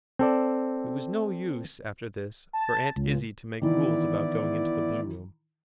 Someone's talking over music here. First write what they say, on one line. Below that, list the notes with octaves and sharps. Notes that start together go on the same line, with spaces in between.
It was no use, after this, for Aunt Izzie to make rules about going into the Blue-room.
C4 A4 D5
A5
C#2
D#3 E3 B3 E4 D5